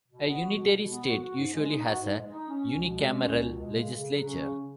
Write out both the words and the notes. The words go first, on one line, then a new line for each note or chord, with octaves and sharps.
A unitary state usually has a unicameral legislature.
B2
B3
F#4
B2
B2
B3
F#4
F#4
G#2
G#3
D#4
F#4
G#2
G#3
D#4
C#4
C#2
B2
G#3
C#4
C#2
B2
G#3
C#3
C#3
F#3
C#4
C#3
C#3